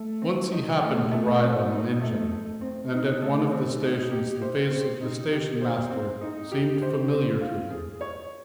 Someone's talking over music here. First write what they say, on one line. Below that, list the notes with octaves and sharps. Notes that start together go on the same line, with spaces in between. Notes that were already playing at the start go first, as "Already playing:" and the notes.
Once he happened to ride on an engine, and at one of the stations the face of the station-master seemed familiar to him.
Already playing: A3
C4
D#4
A3
A3
C4
D#4
A3
A3
C4
D#4
A3
C4
D#4
G4
C5
C4
D#4
G4
C5
C4
D#4
G4
C5
C4
F4
G#4
C#5